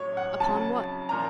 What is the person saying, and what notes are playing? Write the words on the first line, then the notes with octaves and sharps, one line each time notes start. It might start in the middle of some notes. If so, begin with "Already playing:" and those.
"Upon what?"
Already playing: A1 A2 F#3 C#5
F#5
F2 C#3 F#3 A5
A#2 F3 A#5